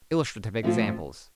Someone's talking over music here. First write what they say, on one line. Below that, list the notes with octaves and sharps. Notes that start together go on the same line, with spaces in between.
Illustrative examples.
A2 F3 C4 F4